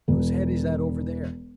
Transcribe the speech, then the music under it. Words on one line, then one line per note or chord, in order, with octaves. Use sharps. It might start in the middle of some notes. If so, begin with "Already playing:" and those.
"Whose head is that over there?"
E1